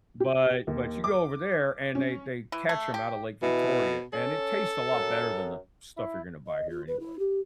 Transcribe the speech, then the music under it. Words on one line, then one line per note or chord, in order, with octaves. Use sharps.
But but you go over there and they they catch 'em outta Lake Victoria and it tastes a lot better than the stuff you're gonna buy here anyway.
G4
D#2
D6
C#4
E3
A3
G4
B2 E3
C#4 A4
F#2
E4
D#5
F4
B4
E4
G4